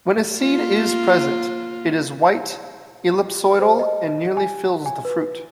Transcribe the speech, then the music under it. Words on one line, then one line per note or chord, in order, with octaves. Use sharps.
When a seed is present, it is white, ellipsoidal, and nearly fills the fruit.
A#3 F4
C5
D#5
G#5
G#5
B4